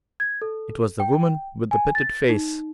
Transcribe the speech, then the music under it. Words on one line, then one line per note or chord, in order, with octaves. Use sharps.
It was the woman with the pitted face.
G#6
A4
G5
G#5
A6
D#4